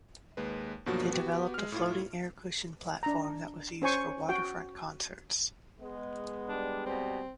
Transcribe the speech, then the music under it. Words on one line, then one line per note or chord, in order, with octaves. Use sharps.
They developed a floating air cushion platform that was used for waterfront concerts.
D#2 G#3 B4
G2 B2 F3 F#3 A#3 F#4
B3 F#4 G4
G#3 F6
A2 E4 F4
D4 A#5
C#4 C5 G#5 C#6
F#4 G5
G#3 B3
G3 D4
B2 C4